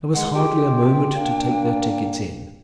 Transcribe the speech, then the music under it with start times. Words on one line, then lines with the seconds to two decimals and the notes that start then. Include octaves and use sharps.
There was hardly a moment to take their tickets in.
0.14 G#3 F#5
0.34 G#3 F4 G4 G5
1.15 A#2 A#3 D4